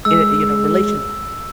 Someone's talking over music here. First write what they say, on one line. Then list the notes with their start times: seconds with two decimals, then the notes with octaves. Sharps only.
eh, you know, "relations,"
0.05 G#3 E6